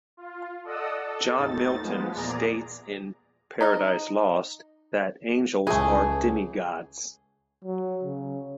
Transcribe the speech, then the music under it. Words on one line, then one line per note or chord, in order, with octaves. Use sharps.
John Milton states in "Paradise Lost" that angels are demigods.
F4
A4 D5 D#5 F#5 D#6 E6
A4
D#2 A2 D#4 A6
F3 G#3 B3
E2 A#2 G#4 D5 A#5
D#4 D#5
C#2 E3 A3 G#4
F#3
C#3